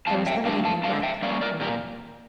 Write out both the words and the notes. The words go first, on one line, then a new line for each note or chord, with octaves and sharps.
"I was evidently right," he murmured.
F2 F5 A5
E5 G5
D3 A3 D4 F5 A5
F5 A5
D3 F5 A5
E5 G5
G3 A#3 C#4 D5 F5
A#4 D5
A#2 G4 A#4